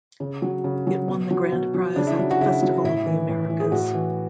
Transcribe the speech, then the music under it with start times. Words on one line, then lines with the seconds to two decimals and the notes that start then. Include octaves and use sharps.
It won the Grand Prize at the Festival of the Americas.
0.20 C#3
0.42 F#3
0.64 C#3
0.87 F#3
1.08 B2
1.31 F#3
1.52 B2
1.74 F#3
1.96 C#3 D4
2.07 E4
2.19 F#3
2.31 F#4
2.41 C#3 E4
2.63 F#3
2.84 A2 E4
3.06 E3
3.29 A2
3.50 E3
3.60 G#4
3.72 A2 F#4
3.94 E3